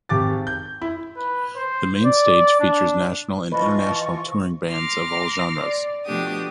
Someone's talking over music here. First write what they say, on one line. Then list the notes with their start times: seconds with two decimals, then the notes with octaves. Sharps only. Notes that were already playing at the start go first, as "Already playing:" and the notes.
The Main Stage features national and international touring bands of all genres.
0.09 G#1 G4 D6 A6
0.47 G6
0.82 E4
1.16 B4
1.56 C5
2.05 D5
2.60 D4
3.52 E3 F3 F4 B4 D#5 C#6
4.70 A#5 C6 D6 F6 A#6
5.62 D5
6.05 B2 F3 A3 D4 G4 D#6